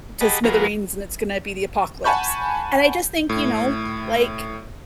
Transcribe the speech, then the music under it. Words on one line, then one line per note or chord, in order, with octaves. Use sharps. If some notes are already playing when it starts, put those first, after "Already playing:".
to smithereens, and it's gonna be the apocalypse. And I just think, you know, like,
G4 G#4 D#5 F#5 A5 B5
F3 A#3 F#4 G#4 A#4 B4
F#5 G#5 A5 B5 C#6 G6
A2